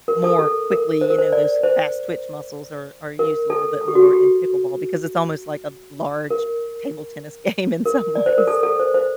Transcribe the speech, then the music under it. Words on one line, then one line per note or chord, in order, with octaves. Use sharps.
more quickly, you know? Those fast-twitch muscles are are used a little bit more in pickleball, because it's almost like a large table tennis game in some ways.
A#4
A4
A4
A#4
C5
A#4
C5
D5
C5
A#4
A4
A4
G4
F#4
G4
G4
A#4
A#4
D5
C5
A#4
A4
A4
C5
C5